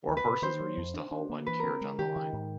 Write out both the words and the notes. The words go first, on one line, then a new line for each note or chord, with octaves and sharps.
Four horses were used to haul one carriage on the line.
D2
B4
C3
D#3 C5
F#3
F2
D4
D4
A#3
E3 B4
C4 A#4
G#3
D#3 G4
D#3
G#2